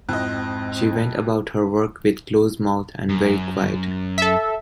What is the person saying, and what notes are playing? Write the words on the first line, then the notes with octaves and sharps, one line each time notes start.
She went about her work with closed mouth and very quiet.
F2 G#2 C4 E4 D#5 F#6
F#2
A4 E5